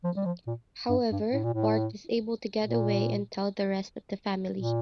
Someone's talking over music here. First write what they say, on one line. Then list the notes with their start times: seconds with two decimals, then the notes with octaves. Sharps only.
However, Bart is able to get away and tell the rest of the family.
0.04 F3
0.16 G3
0.25 F3
0.47 A#2
0.89 G2
1.12 G2
1.33 A2
1.44 A#2
1.54 A2
2.62 A#2
4.55 A#2